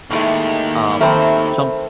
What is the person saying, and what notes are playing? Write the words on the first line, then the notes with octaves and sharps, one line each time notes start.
Um, some
D#2 A2 G#3 A3
D#3 A3 C4 C5 E5 A#5 B5